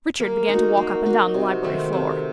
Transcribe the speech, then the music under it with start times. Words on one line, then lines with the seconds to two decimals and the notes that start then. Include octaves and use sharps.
Richard began to walk up and down the library floor.
0.20 A#3
0.49 D#4 F#4
0.77 A#3
1.06 D#4 F#4
1.34 C3
1.63 D#3 A3 C4
1.93 C3